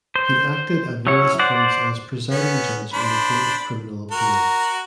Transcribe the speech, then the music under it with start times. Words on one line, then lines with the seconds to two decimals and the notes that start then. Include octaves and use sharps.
He acted at various points as presiding judge in the Court of Criminal Appeal.
0.16 C5
1.07 F#3 C#4 E4 C#5
1.39 C5 D5 F#5
2.31 B3 C#4
2.93 D4 C5 B5
4.11 F#4 A#4